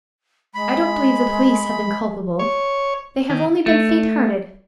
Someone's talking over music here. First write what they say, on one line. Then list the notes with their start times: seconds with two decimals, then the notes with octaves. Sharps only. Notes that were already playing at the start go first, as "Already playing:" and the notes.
I don't believe the police have been culpable; they have only been faint-hearted.
0.55 G#3 B5
2.39 C#5
3.29 D#3
3.66 A3